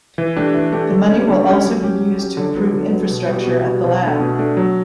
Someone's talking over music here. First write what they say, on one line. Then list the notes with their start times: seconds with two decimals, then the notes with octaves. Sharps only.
The money will also be used to improve infrastructure at the lab.
0.18 E3
0.36 A3 D4 G4
0.54 E3
0.72 A3 D4 G4
0.91 D3
1.09 G3 C#4 G4
1.28 D3
1.46 G3 C#4 G4
1.64 F#3
1.82 C#4 G4
2.01 F#3
2.19 C#4 G4
2.37 D3
2.56 F#3 B3
2.73 D3
2.92 F#3 B3
3.10 B2
3.29 G3 B3 F#4
3.47 B2
3.65 G3 B3 F#4
3.84 B2
4.03 A3 D4
4.20 B2
4.39 A3 D4
4.57 F#3